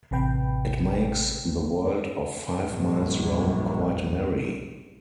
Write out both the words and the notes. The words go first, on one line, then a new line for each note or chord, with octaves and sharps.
It makes the world of five miles round quite merry.
A1 C3 B4 G5
A#1 G2